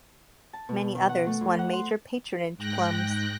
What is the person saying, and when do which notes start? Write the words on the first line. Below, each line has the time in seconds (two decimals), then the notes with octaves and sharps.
Many others won major patronage plums.
0.53 A5
0.69 B2
0.95 D#3
1.09 F#5
1.27 A3
1.41 F2
1.59 F#5
1.73 C6
2.57 G#2 G5 F#6 A#6